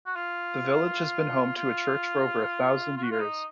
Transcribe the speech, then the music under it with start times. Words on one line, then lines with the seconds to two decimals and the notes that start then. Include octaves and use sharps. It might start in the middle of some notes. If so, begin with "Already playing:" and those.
The village has been home to a church for over a thousand years.
0.06 F#4
0.16 F4
1.56 F4
2.97 F4
3.04 F#4
3.11 F4
3.20 D#4